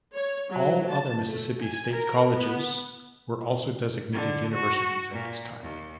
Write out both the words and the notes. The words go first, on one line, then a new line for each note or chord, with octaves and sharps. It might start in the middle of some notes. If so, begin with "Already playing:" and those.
All other Mississippi state colleges were also designated universities at this time.
C#5
F#3
A5
A3
G#5
A#4
B3
D3
F#4
A#2
D#2